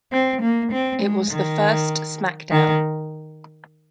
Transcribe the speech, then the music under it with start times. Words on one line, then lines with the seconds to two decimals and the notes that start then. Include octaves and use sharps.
It was the first SmackDown!
0.12 C4
0.42 A#3
0.72 C4
1.02 G#3
1.31 D#3
2.51 D#3